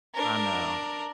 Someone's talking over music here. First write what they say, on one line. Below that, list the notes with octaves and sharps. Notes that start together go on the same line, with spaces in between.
I know.
D4 A#4